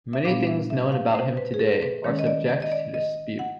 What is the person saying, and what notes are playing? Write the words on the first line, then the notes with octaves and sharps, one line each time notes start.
Many things known about him today are subject to dispute.
E5
A#2 G3 B3 D4 F5
E5
E5
F5
C5
B4
G#4
A4
B4
D#3 G#3 C#4 C#5
D#5
D5
D5
D#5
D5
D#5
F#5